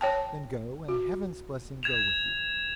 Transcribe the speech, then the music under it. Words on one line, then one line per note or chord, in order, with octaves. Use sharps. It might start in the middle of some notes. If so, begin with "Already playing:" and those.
Then go, and Heaven's blessing go with you.'
C#5 G5 A5
F#4
G#6 E7 F7